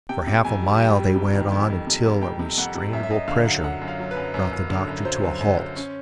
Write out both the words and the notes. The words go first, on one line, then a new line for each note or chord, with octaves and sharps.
For half a mile they went on until a restrainable pressure brought the doctor to a halt.
C3 G5
C3
F2 G#5
G3
G3 G5
G3
C3
D#3
F2
F2
C3
G3
F2 G5
C3
F2 F#5
C3
F#2 E5
E5
F#2 D#5
D3 F5
F#3 F#5
F#2 F#5
F#2
F5
F#3
B4
F#2
F#2
F#2
D3
F#2
F#3 C5
F#2
F#2
F#2
C#4